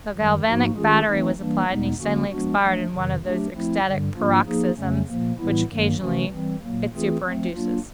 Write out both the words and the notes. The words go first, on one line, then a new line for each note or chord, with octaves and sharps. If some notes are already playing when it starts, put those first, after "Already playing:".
The galvanic battery was applied, and he suddenly expired in one of those ecstatic paroxysms which, occasionally, it superinduces.
F#2 D#3 G3
G#2 F3 A#3 D#4 F#4
D#3 G#3 C#4 F4 G#4
E3 A3 C4 D#4
E3 G3 A#3 D4
E2 B2 G#3 B3 D#4
D3 F#3 A#3 C#4 F#4
F3 G#3 B3 D4 F#4
F3 A3 D4
F2 C3 D#3
F#3 A3 D4 G4
F3 A3 C4 E4
G2 D3 G3
G#2 F3 A#3 D4 F4
F3 A#3 D#4 G#4
F2 C#3 F#3 A3 C#4
A#2 F3 A#3
A2 E3 G3 B3 E4
G2 D#3 F#3 A#3
C3 E3 A3 C#4 F#4
E3 G3 C4
A#2 F#3 A#3
E3 A3 C4 F4 G#4
F3 A3 C4
F#3 A#3 D4 F4